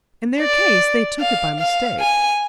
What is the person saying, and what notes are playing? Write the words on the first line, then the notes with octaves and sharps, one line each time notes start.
In their case they took it by mistake.
D5
F5
F5
G#5